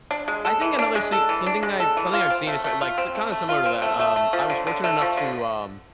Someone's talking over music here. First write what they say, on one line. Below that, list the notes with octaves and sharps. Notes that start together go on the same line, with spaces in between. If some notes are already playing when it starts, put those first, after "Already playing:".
I think another see something I've something I've seen is, pr like, s kinda similar to that. Um, I was fortunate enough to, um,
D4
G#3
A4
E3
D4
G#3
A4
E3
D4
G#3
A4
E3
F4
C4
A3
A3
F4
C4
A3
A3
F4
C4
A3
A3
A3
F3
D3
D3
A3
F3
D3